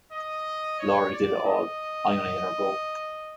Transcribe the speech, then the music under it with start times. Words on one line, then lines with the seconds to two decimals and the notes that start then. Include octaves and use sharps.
Laurie did it all; I only let her go.
0.12 D#5
0.79 C#5
1.12 D5
1.45 D#5